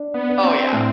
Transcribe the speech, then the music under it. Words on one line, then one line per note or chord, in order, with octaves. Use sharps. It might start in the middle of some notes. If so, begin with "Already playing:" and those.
Oh, yeah.
Already playing: D4
B3
D4
C4
A2